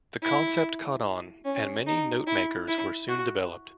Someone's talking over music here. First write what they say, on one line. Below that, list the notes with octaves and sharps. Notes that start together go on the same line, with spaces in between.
The concept caught on, and many notemakers were soon developed.
E4
C#4
D#4
E4
E4
F#4